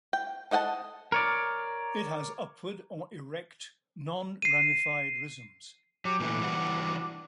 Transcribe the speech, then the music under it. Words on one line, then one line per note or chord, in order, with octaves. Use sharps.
It has upward or erect, non-ramified rhizomes.
G5
A4 D#5 F#5 G#5 A5
A#4 C#5 D5
C7 D#7
F#3 G4
A#2 E3 A3 D4
E3 G3 F#4